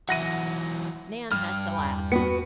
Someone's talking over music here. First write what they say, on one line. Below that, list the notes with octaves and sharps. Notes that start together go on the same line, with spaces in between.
Nan had to laugh.
E3 F#3 E5 F#5 A#6 D#7
G2 F6
E2 G#5 B5
B3 F#4 C#7